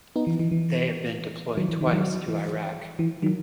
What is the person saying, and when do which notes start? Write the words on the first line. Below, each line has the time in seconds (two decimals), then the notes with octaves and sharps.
They have been deployed twice to Iraq.
0.16 B3 D#4
0.27 E3
0.39 E3
0.51 E3
1.57 D#3 F#3
1.69 E3
1.81 D#3
1.87 E3
1.93 D#3 F#3
2.28 E3
2.99 E3
3.22 D#3 F#3